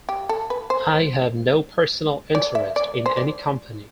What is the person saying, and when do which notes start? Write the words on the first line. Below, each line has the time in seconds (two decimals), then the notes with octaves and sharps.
I have no personal interest in any company.
0.09 G4
0.29 A4
0.50 B4
0.70 C5
2.35 D5
2.55 E5
2.76 D5
3.06 C5
3.17 D5